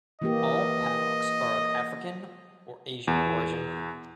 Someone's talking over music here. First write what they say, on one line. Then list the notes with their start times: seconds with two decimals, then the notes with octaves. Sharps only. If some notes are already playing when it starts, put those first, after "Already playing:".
All padauks are of African or Asian origin.
0.22 E3 A#3 G4 D#5
3.07 E2